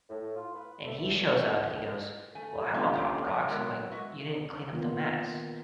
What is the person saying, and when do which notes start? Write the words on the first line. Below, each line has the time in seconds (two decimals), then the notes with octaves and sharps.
And he shows up and he goes, "Well, I want Pop Rocks." And I'm like, "You didn't clean up the mess."
0.09 A2
0.35 F4
0.54 B4
0.84 A3
1.01 E2
1.31 F#4
1.49 C#2
2.35 A3 G#5
2.74 D3 F3 G3 F4
2.93 A3 A#3 C#4 F4 G4
3.25 F#3 E5
3.48 F#3 G#3 B3 E4 A#4
3.91 F#4 D#5 E5
4.72 D#3 A#3 B3 F4